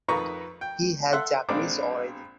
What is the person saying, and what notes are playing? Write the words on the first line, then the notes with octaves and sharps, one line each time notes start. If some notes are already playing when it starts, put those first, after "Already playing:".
He has Japanese origin.
F2 D#3 A4 B4 A#5 C#6
G5
A4 E5 F#5 C6 F#6
A#1 G#3 C4 D4 A#4 D6